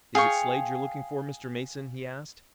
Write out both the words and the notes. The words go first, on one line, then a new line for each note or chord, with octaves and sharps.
"Is it Slade you're looking for, Mr. Mason?" he asked.
G#4 F5 G5 C#6